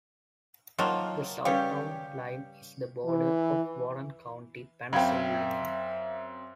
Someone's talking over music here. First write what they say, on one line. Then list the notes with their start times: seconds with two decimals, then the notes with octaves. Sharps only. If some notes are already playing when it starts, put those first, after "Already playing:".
The south town line is the border of Warren County, Pennsylvania.
0.79 D#3 F3 F#3 A#3 F4
1.45 C#3 G3 G4 B4 C#5 F5
3.06 E3
4.93 F#2 C4 E5 F5 G5 B5 G#6